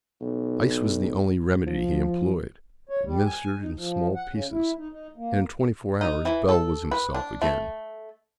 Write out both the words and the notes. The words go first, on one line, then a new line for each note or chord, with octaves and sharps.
Ice was the only remedy he employed, administered in small pieces, and in twenty-four hours Bell was himself again.
B1
F3
C#5
G3
G#5
D#4
F3
F#5
C#3
E4
D#4
D#4
A#3
D#4
E3
A4
B4
D4
A3